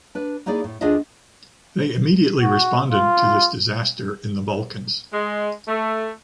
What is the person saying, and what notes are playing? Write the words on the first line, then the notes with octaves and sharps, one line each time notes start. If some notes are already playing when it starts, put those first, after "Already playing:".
They immediately responded to this disaster in the Balkans.
D4 B4
A#3 D#4 E4 G#4 D5
A2
D2 D4 F4 G#4 D#5 E5
F#4
F4
G#3
A3